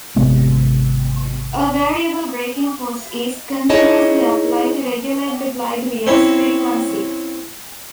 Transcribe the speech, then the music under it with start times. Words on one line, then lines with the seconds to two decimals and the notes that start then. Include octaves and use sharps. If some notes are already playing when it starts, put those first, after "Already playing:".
A variable braking force is continuously applied to regulate the glide wheel's frequency.
0.16 G#1 C3 G#3 B3
3.69 D#4 E4 G#4 C#5 D#5 A5
6.07 C4 C#4 E4